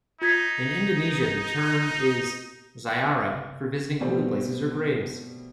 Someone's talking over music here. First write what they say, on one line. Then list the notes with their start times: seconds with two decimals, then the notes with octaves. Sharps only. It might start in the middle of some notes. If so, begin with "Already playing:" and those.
In Indonesia the term is "ziarah" for visiting holy places or graves.
0.22 D#4 F4 G#6 B6
4.01 B2 G3 A3 B3 C4